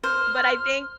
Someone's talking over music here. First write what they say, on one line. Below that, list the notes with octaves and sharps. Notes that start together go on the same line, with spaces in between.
But, I think
C5 F6